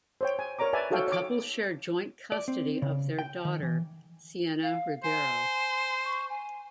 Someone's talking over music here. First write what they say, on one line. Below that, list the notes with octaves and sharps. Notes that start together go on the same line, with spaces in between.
The couple share joint custody of their daughter, Sienna Ribeiro.
C5 C#5 G5
G#5
A#4 C#5 D5 A#5 D6
B4 D5 E5 G#5 A5
D#4 F#4 A4 C#5 F5 G5
C#5 D6
D5
C4
C#3
G5
D#3
E3
F5
C5 G#5
C#6
G#5